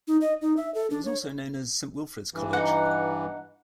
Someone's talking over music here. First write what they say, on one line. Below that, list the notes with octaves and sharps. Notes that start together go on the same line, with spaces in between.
It was also known as "Saint Wilfrid's College".
D#4
D#5
D#4
E5
A4
D4
C#5
G2 E3
D#4 F#5